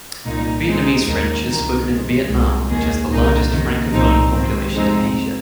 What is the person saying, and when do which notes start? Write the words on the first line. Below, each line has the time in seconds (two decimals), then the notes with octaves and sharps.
Vietnamese French is spoken in Vietnam, which has the largest Francophone population in Asia.
0.25 C2 A#2 A#3 D#4
0.66 G#2 G#3 C4 D#4 G#4
1.07 D#2 D#3 A#3 D#4 A#4
1.48 C2 C3 D#3 A#3 D#4
1.88 F2 C3 D#3 G#3
2.29 C2 A#2 G#3 C4
2.69 D#2 D#3 A#3 G#4
3.11 C2 A#2 A#3 D#4 A#4
3.51 F2 C3 D#3 A#3
3.92 C2 A#2 F3 C4 D#4
4.32 G#2 D#3 C4
4.73 F2 C3 G#3 C4 D#4